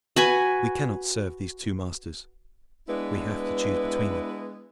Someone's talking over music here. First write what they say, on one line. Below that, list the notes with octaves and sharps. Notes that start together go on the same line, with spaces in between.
We cannot serve these two masters; we have to choose between them.
F#4 B4 G#5
G#3 B3 D4 E4 B4